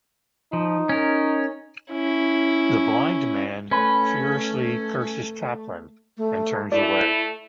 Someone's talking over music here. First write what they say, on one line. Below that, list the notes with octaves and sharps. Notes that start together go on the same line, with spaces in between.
The blind man furiously curses Chaplin and turns away.
F3 D#4
C#4 A#4
C#4 E4
A3 C#4 B4
A3
A3 E4 D5